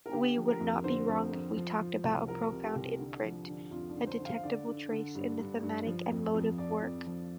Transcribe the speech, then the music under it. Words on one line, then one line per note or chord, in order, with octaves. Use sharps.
We would not be wrong if we talked about a profound imprint, a detectable trace in the thematic and motive work.
A#4
D3 G4
F3
A#4
F2
D3 C5
F2
F2
F3
F3
C2
F3 A#4
C3
G4
C2
D3
F3
D3
F2 F4
D4
D3
C5
D3
F5
D3 D5
D3
D3
G2
G2
G2
F3
F2
F2
F2 D5
F2
F3